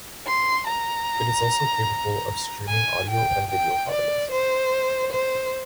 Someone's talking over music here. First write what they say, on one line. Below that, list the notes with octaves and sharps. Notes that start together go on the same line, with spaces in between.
It is also capable of streaming audio and video files.
C6
A#5
G#5
G5
G5
D5
C5
C5